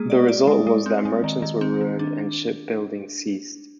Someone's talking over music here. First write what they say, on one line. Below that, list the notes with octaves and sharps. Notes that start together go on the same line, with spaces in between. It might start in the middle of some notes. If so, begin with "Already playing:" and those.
The result was that merchants were ruined and shipbuilding ceased.
Already playing: G#3 A#3 G#4
D5
D5
G#3
G#3
C4
G#3
D#3
D#3
C4
D#3
D4